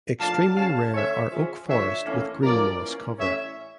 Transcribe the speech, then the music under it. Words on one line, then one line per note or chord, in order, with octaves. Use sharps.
Extremely rare are oak forest with green moss cover.
A2 F3 A#3 D4 F5 A5
C#3 G3 C#4 F5 A5
D3 A3 C#4 C#5 E5
C#3 F3 C#4
D3 F3 A3 D4 C#5 E5
A2 E3 A#3 C#4
G2 F3 A3 C#4 A#4 D5
E3 A#3 C#4
A2 E3 G3 C#4 C#5 E5